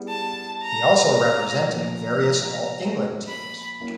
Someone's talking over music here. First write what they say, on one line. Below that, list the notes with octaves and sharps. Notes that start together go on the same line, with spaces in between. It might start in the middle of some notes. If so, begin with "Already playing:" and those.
He also represented various All-England teams.
Already playing: G3 B3 E4 G#4
A5
A#5
A#5
A#2 F3 A3 A#5
B5
F#3 A#3 C#4 E4